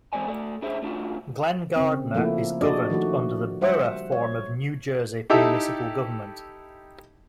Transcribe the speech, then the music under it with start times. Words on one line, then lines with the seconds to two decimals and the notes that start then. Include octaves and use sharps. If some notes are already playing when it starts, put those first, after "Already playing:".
Glen Gardner is governed under the Borough form of New Jersey municipal government.
0.13 E3 G#3 C4 D5 G#5
0.26 A3 A4 D5
0.62 D4 E4 G#4 C5 E5
0.82 A2 D4 F4 F#4
1.76 C#3 C4
2.15 F3 A3 A#3 E4
2.61 D4 F#4 G#4 D5 D#5
2.90 D#3 F3 A3 F#4
3.61 G3 C5 E5 F#5
4.12 C#5
5.30 D#4 E4 G4 A4 E5